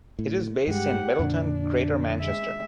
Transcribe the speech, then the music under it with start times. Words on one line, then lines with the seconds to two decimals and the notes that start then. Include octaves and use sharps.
It is based in Middleton, Greater Manchester.
0.19 A2
0.67 G2 G#3 G4 F#5
1.19 F2 A#2 D3 D4
2.21 G#3 E5